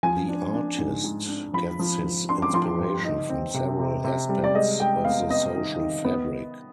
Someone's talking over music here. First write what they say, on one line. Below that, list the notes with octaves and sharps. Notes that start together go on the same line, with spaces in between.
The artist gets his inspiration from several aspects of the social fabric.
F3 G#5
D4
D4
G#2
G#2
D4
F3 B5
F3
F3
D4 C6
D6
F3 C6
G2
D#4
C4
C3
C3
C3
G3
D5
G#3 D#5
G#3 G5
B3 F5
B3 D#5
D#3
D#3
B3